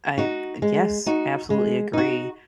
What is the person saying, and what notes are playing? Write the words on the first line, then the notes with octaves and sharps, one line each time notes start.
I, uh, yes. Absolutely, I agree,
D#4 F#4
G#3
D#4 F#4
G#3
D#4 F#4